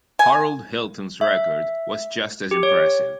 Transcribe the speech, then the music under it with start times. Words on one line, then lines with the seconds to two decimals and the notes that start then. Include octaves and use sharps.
Harold Hilton's record was just as impressive.
0.19 G#5
1.21 E5
2.51 G4
2.63 C#5